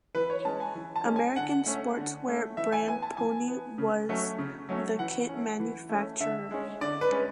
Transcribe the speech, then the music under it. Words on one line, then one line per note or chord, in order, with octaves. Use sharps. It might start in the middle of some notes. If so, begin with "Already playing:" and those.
American sportswear brand Pony was the kit manufacturer.
E3 B4
C#5
G#3 C#4 A5
G#5
E3
A5
G#3 C#4
G#5
D3 F#5
A3 C#4
D3
A3 C#4
E3 E5
G#5
B3 G#5
A5
E3 G#5
B3
C#3
F#3 A3 C#4
C#3
F#3 A3 C#4
E3 F#5
A3 C#4
E3
A3 C#4
D3 E5
G#3 C#4
D3 D5
B4
G#3 C#4